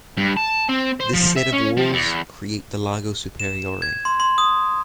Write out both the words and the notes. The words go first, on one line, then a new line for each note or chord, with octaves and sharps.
This set of walls create the Lago Superiore.
G2
A5
C4
C5
F3
E5
C#4
F3
E2
E7
G#6
C6
C6
D#6